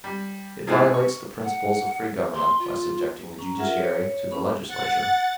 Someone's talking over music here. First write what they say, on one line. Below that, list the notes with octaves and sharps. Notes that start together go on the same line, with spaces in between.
It violates the principles of free government by subjecting the Judiciary to the Legislature.
G3
G#2 B2 E3 G#3 F#6
C#6
F#5
C6
F4
C#4 A#5
F4 G#4 A#4 E5 F#5
C#5
C#4 B5
F#5 A6